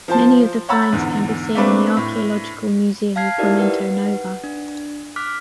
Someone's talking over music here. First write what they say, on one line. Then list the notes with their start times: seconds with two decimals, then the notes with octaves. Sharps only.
Many of the finds can be seen in the Archaeological Museum of Grumento Nova.
0.08 F3 C5 A5
0.69 C#5 F#5 A#5 B5 E6 A6
0.92 E2 G#2 D3
1.55 A3 A#3 C4 D4 B4
1.97 A2
3.16 F5 A5 F6 G#6 C7
3.38 D#4 E4 G4 A#4 D5 E5
3.59 B4 F#5
4.44 D4
5.16 D6 F6 F#6 B6